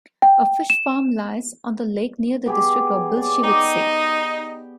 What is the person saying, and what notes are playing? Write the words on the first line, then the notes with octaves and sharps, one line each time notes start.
A fish farm lies on the lake near the district of Bilshivtsi.
G5
E7
B3 G4 G#4
D5
D#4 G4 D#5 G5 D6